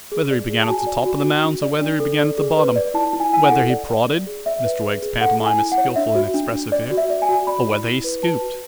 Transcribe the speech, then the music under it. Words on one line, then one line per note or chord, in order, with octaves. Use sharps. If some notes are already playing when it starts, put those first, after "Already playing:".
Whether he began at the top of the mounds, or whether he began at the bottom. Whether he prodded'; Mr Wegg's pantomime is skilful and expressive here; 'or whether he scooped?
G#4
D5
G#4
A5
F#4 G#5
D5
F#4
F#4
D4
D5
D4
A4
D5
G#4
B4
D5
E4 A5
E4
G#5
E4 G#5
F#5
A4
D5
D5
D5
G#4
D5 E5
B4
G#4
G#4
A4 F#5
E4
G#5
E4
F#5
C#5
D4 E5
F#4
D4
D4
D5
F#4
E5
D5
G#5
F#4
D5 B5
E4
E4
B4
B4 A5
F#4